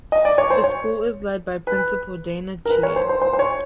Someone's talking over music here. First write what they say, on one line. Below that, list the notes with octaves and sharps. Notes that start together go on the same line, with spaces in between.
The school is led by Principal Dayna Chia.
D#5
D5
C#5
C5
C#5
B4
A#4
B4
C#5
C5
C5
C5
C5
C#5